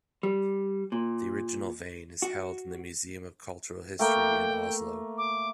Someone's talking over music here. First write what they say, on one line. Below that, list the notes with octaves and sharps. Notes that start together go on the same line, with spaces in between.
The original vane is held in the Museum of Cultural History in Oslo.
G3
A#2
F#4
A3 A#3 G5
D6